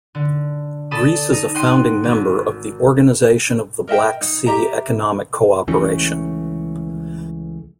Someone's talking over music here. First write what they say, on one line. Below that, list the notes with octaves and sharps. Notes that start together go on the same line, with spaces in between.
Greece is a founding member of the Organization of the Black Sea Economic Cooperation.
D3
A4 D5 A5 B5 D#6
D#4
F#5 G5 C6 C7 D#7
G#1
A#4 D#5 E5 G5
D#4
G4 D#5 E5 A#5
C#2 E3 A3 C#4